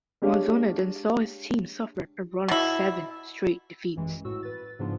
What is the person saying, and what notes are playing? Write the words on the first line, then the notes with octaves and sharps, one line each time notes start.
Mazzone then saw his team suffer a run of seven straight defeats.
G#3 D4 G4 C#5 F5
B2 E4
A1 F#2 E3 G#3
A2 F#4 E6
B4 A6
G#2 C#3 F3 B3 D4 F4